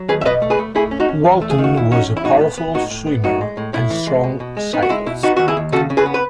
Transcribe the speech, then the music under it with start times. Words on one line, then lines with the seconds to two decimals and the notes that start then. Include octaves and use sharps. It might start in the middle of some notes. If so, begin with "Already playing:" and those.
Walton was a powerful swimmer and strong cyclist.
Already playing: F#3
0.08 D#2 G#4 B4
0.21 E5
0.25 B2 B4 D#5
0.42 A3
0.50 G#4 B4
0.59 A3
0.75 A3 E4 G#4
0.91 C#4
1.00 D#4 F#4
1.09 C#4
1.25 E2
1.42 A3
1.50 G#4
1.58 D#3
1.64 F#4
1.75 E2 E4
1.91 C#4 D#4 F#4
2.07 E2
2.17 E4
2.24 A2 D#4 F#4
2.41 B3
2.58 B3
2.74 A2 D#4 F#4
2.91 A2
3.07 B3
3.24 A2 D#4 F#4
3.41 G#3
3.57 A2
3.73 A2 E4
3.90 E3
4.07 G#3
4.24 B2
4.40 B2
4.57 G#3
4.73 B3 D#4
4.83 F#4
4.89 G#3 E4
5.06 B2 E4
5.23 B3 D#4 F#4
5.37 D#2 F#4
5.48 E4 G#4
5.57 D#2
5.72 C#3 F#4 A4
5.90 C#3
5.97 G#4 B4
6.06 B3
6.14 B4